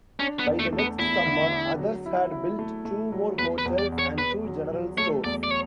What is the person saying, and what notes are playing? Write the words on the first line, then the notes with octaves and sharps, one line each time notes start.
By the next summer others had built two more hotels and two general stores.
C#4 D4
B3
E2
A3
A3
B3
E2 E4
D3
D4
F#3
E4
E4
A3
A3
F#3
E2 B4
B4
E2
D5
E2
C#5
E2 B4
F#3
F#3
A3 C#5
E2 D5
D5
C#5